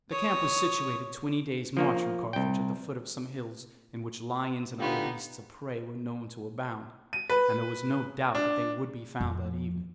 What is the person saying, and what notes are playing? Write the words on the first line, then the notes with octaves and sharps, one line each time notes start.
The camp was situated twenty days' march from Carthage at the foot of some hills in which lions and other beasts of prey were known to abound, and there was no doubt that they would be found that evening.
C#5 D#6
F3 A#3 C#5
C2 G5
D3 B3 D#4 F4 G4
D#7
B4
D4
F2 F3